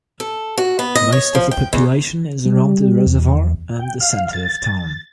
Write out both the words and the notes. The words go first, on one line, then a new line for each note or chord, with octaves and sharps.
Most of the population is around the reservoir and the center of town.
A4
F#4
B3
D#5
C#5
F3
G5
E2
G3
E2
G5
F5
A6